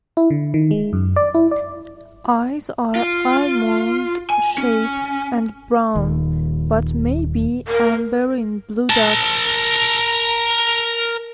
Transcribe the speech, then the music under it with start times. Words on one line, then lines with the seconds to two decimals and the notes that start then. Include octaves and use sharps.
Eyes are almond-shaped and brown but may be amber in blue dogs.
0.17 E4
0.30 D3
0.54 D#3
0.71 G#3
0.93 F#2
1.16 D5
1.34 E4
1.51 D5
2.96 F4
4.30 G#5
4.58 C#4
5.95 D#1 D#2
7.68 A#4
8.90 A#4 A5